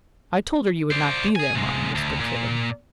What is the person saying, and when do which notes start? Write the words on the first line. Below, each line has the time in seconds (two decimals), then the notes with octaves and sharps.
"I told her you would not be there, mum," whispered Caleb.
0.91 C5 D5
1.36 G#4 G#5
1.55 C3 G#3
1.95 D2
2.20 A#2